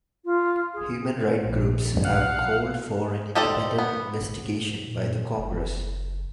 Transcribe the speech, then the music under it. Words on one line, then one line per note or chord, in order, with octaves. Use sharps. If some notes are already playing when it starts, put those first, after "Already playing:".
Human right groups have called for an independent investigation by the congress.
F4
G#4
A#1
B1 F5 F#5
D#4 G4 A4 C5 D5
B3
A#2
F#1